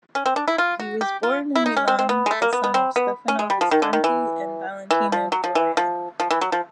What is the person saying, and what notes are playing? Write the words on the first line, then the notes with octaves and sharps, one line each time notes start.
He was born in Milan, the son of Stefano Visconti and Valentina Doria.
C#4
C4
D4
E4
F4
F#4
G4
F4
E4
D#4
C#4
C4
C4
B3
G#3
A3
A#3
B3
B3
C4
B3
C#4
G#3
G3
F3
D#3
D3
D#3
E3
E3
F3
F#3
F3
E3
F3
F3
E3
F#3
F3